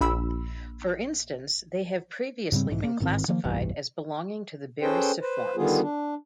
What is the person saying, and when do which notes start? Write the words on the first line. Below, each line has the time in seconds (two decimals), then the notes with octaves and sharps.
For instance, they have previously been classified as belonging to the Beryciformes.
0.01 A#1 B5 E6
2.52 G#2 C#3 G3 C4
2.69 B1 G#2 E3
2.84 A#3
3.00 A1 G#2 D#3 C4
3.28 D#3 F3 A#3
3.44 F1 B1 G2 E3
4.82 C#4 G#4 A4 B4 C5 G5
5.22 B4 C5
5.56 D3 D#3 G3 B3 F4 G#4
5.82 D4